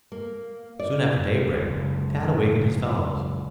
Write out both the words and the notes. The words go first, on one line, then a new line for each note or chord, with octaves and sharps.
Soon after daybreak, Tad awakened his fellows.
A#3
D5
F#1 C#2